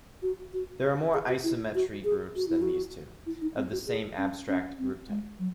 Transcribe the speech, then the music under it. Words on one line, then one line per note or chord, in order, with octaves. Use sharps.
There are more isometry groups than these two, of the same abstract group type.
F#4
F#4
G#4
G#4
F#4
E4
F#4
G#4
F#4
E4
F#4
E4
D#4
C4
F#4
G#4
C#4
C#4
C4
G#3
F#3